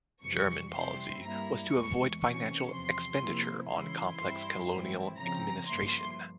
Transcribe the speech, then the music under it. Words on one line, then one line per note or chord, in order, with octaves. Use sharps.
German policy was to avoid financial expenditure on complex colonial administration.
F2 C3 E3 G3 C#6
C3 G3 C4 E4 C6
G2 G3 A#3 E4 A#5
E2 E3 G#3 C#6
C3 E3 A#3 C#4 C#6
E2 C3 F3 C6
C3 F3 A#3 E4
C#3 E3 G#3 E4 C6
G2 G3 C4 E4
G#2 E3 G3 C4 E4
C#3 F3 C4 A#5
G2 F3 A#3 E4 C6